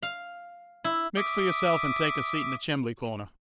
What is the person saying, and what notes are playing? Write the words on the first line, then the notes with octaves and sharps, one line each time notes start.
Mix for yourself and take a seat in the chimbley-corner.
F5
E4
E5 D6 D#6